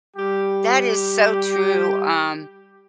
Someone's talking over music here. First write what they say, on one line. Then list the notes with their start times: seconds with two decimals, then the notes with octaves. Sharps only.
that is so true. Um,
0.17 G3 G4